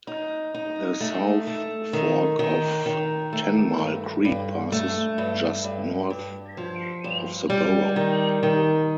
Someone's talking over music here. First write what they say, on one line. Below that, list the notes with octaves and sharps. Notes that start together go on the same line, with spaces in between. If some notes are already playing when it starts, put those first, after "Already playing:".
The South Fork of Tenmile Creek passes just north of the borough.
D#4
D#4
A3
A3
D#3
D#3
D#3
A3
G2
G2
A3
G2
G2
G2
F3
G2
G3
D#3
D#3